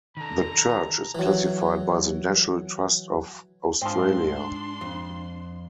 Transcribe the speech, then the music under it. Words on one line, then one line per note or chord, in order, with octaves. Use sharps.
The church is classified by the National Trust of Australia.
D#3 A4 A#5
E3 F#3
G#2 F3 C4 D4 C6
F2